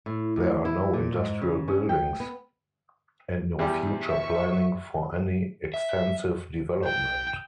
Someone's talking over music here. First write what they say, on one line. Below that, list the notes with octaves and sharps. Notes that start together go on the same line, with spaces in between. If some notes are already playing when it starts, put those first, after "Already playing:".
There are no industrial buildings and no future planning for any extensive development.
A2
D2
E4
A#2
G#2
C#3
C#4
G5
B3
E2 G3 G4
E5 C#6
E5
G5